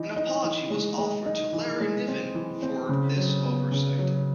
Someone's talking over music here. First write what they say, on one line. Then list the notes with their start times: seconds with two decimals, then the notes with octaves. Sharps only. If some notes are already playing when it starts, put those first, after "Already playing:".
An apology was offered to Larry Niven for this oversight.
Already playing: E3 D#4
0.16 D#4
0.44 E3
0.70 G#3
0.98 G#3
1.26 D#4
1.53 E3
1.80 G#3
2.08 C4
2.35 E3
2.62 C4
2.89 C#3
3.17 F#3
3.45 B3
3.72 C#3
3.99 F#3